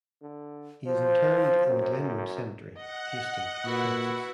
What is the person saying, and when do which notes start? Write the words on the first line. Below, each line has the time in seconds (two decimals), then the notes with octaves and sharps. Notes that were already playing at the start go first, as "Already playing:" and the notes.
He is interred in Glenwood Cemetery, Houston, Texas.
0.22 D3
0.86 F3 C5
1.67 F#2
2.76 D#5 F#5
3.64 A#2 E4 F#4 B4